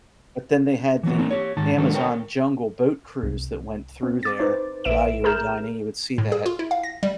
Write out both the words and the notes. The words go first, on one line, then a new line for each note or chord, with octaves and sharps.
but then they had the Amazon jungle boat cruise that went through there while you were dining, you would see that,
E3 F#3 B3
C4 D4 D#4
G4 C#5
G#2 D#3 A5
D#3 F#3 G#3 B3 D4 A4
A#4 C#5 G5
C2
C4
D6 A6
D#4 B4 C5
A#1 B4 E5 D7 E7
G#4 A#4 A#5 F6 G6 E7
A2
G#4
F4
E4
F5
A#6
G3